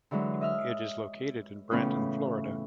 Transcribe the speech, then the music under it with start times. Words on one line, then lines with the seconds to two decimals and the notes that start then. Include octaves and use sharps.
It is located in Brandon, Florida.
0.11 D3 E3 F#3 G#3
0.41 D#5 E5 F6
1.71 A2 C#3 E3 B3 C#4 F4